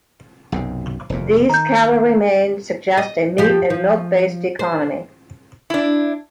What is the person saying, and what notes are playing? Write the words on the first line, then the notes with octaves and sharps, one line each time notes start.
These cattle remains suggest a meat- and milk-based economy.
B1 F#2 C3
F1 D#2 A#2
D#3 A#5 G6
D#5
F3 G4
F3
C5
D4 E4